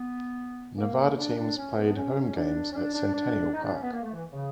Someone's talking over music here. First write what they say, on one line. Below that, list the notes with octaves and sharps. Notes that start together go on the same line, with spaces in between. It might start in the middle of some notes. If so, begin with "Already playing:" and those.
Nevada teams played home games at Centennial Park.
Already playing: B3
A#3
D4
D4
C#4
B3
D4
C#4
D4
C#4
D4
D4
D4
D#4
D4
C#4
B3
A#3
A3
E3
C#3